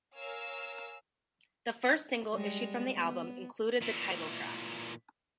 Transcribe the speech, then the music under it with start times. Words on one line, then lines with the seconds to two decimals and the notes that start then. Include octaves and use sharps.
The first single issued from the album included the title track.
0.15 A#4 C#5 F5 G#5 E6 F6
2.32 G3 G#3
2.96 B3
3.82 A#2 E3